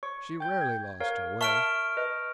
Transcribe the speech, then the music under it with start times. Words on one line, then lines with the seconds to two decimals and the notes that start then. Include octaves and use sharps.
She rarely lost her way.
0.03 C#5 C#6
0.40 G5 G6
0.61 G#6
1.00 A#4 C#5 F5
1.41 A#4 E5 A5 C#6 F6 D7
1.97 B4 D#5